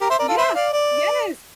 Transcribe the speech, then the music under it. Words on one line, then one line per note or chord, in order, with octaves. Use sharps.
Yeah. Yes.
G4 A#4
C5 E5
A#4 D5
F4 A4
C5 E5
D5 F5
D5